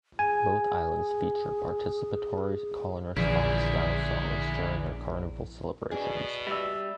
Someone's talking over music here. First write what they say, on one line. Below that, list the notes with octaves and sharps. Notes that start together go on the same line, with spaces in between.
Both islands feature participatory, call-and-response style songs during their Carnival celebrations.
G#4 G#5
A#1 E2 D3 E4 G#4
B2 D4 G#4
G3 E5 E6